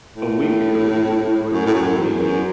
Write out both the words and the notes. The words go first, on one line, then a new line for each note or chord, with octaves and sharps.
A week ago, we we went down to the beach,
A2
F#2
A2
F#2
E2
F#2